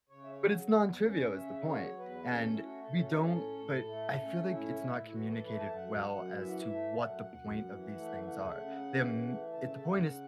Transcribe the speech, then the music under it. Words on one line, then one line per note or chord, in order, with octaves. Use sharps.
but it's nontrivial, is the point, and we don't but, I feel like it's not communicated well as to what the point of these things are. Their m it The point is
C#3 C#5
E5
C#5
F#3
E2
C#4
C#3 E5
F#3 C#5
E2 B4
C#4 A4
E4
A3 F#4
A4
C#4 A4
F#4
A2 A4
A2
A3
C#4
A2 E4
A2
E4
E3 F#4
A4
A3 B4
A5
F#2 F#5
F#2
E3 E5
F#5
E5
A3
A5
F#2 F#5
F#2
E3
A3
C#3 F#5
C#3
E3
A3
C#3 A5
E5
C#3 F#5